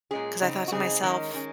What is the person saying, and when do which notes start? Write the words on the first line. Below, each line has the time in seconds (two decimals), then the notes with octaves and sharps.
'cause I thought to myself,
0.11 A#2 G#3 C#4 G#4
0.41 C#3 G#3 C4 D#4
0.68 F#4
0.72 C#3 G#3 C4 D#4 G#4
1.03 D#3 G#3 C#4 A#4
1.33 D#3 G#3 C#4